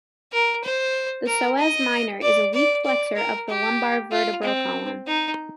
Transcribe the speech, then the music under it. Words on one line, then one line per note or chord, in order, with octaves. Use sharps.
The psoas minor is a weak flexor of the lumbar vertebral column.
A#4
C5
A#4
D#5
D5
D5
D5
A#4
G4
F4
C4
D#4